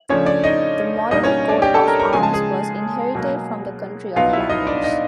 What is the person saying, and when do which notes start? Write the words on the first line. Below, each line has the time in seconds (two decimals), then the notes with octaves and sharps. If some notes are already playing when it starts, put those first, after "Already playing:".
The modern coat of arms was inherited from the County of Flanders.
0.09 C#3 F3 A3 C#4 D4 C#5
0.26 D4 D5
0.44 D#4 D#5
1.11 B2 G3 A#3 D4 D#4 D#5
1.23 C#4 C#5
1.49 D4 D5
1.62 G4 G5
1.74 A4 A5
1.88 A#4 A#5
2.00 A#4 A#5
2.13 C#3 F3 G#3 G#5
2.23 A5
2.33 G#4 G#5
3.15 B2 F#3 A#3
4.16 C2 B2 F#3 B3 D#4 F4 F5
4.33 E4 E5
4.49 D#4 D#5
4.67 D4 D5
4.84 D#4 D#5